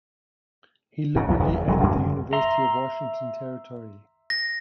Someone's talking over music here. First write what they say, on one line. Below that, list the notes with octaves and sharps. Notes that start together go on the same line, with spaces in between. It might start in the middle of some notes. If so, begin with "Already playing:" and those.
He liberally aided the University of Washington Territory.
G#2 C#3
B1 E2 G#2 B2
F1 D#2 G#2
E2
E1 F#3 G#3
F#2 D3 G#3
E5 A#5 C6
A#6